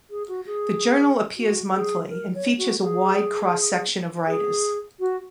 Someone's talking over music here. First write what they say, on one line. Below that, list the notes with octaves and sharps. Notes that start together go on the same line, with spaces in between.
The journal appears monthly, and features a wide cross-section of writers.
G#4
F#4
G#4
F#4
G#4
A#4
C#5
F#4
G#4
G#4
F#4